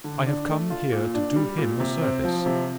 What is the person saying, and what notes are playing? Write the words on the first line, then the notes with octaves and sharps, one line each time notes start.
I have come here to do him a service.
D3
D4
A3
F4
A#2
D4
G3
A#2
C3
C4
F3
C3